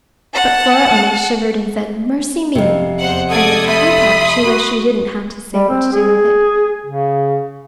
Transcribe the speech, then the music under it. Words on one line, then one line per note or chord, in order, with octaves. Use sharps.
But Flora only shivered and said "Mercy me!" and that, for her part, she wished she didn't have to say what to do with it.
F#5 A5
F2 C3
E2 C5 F#5
A4 D5 F#5 D#6 G#6
E5 B5 C6 D#6
F#4
G3
C4
G#4
C#3